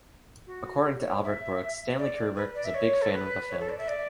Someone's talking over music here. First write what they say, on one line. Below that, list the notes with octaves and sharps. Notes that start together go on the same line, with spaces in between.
According to Albert Brooks, Stanley Kubrick was a big fan of the film.
F#4
G4
C#5
E5
D5
B4
D5
E5
C#5
A4
B4
C#5
A4
D5
E5
D5